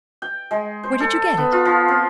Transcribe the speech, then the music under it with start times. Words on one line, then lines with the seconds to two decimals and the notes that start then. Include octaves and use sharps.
Where did you get it?
0.22 G5
0.51 G#3
0.83 C5
1.00 A4
1.37 B3
1.52 F4
1.65 F3
1.88 C4